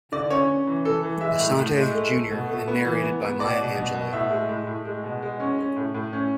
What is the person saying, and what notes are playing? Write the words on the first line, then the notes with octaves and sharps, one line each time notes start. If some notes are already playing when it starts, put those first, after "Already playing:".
Asante, Junior and narrated by Maya Angelou.
D3 D5
C#4 C#5
C#4
E3
E3 A4
E3
G#3 E5
A2
A2
G#3
A3
A3
B2
A3
B3
E3
B3
B3
B2 D5
B2
B2
B2
A2 E5
G#3
A2
A2
G#3
B2
G#3
C#4
C#4
A2
A2
C#4